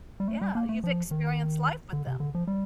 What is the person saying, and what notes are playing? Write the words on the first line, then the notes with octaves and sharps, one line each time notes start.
Yeah, you've experienced life with them.
G3
A3
G3
A#3
A3
F3
D#3
D3
C3
D3
F3
G3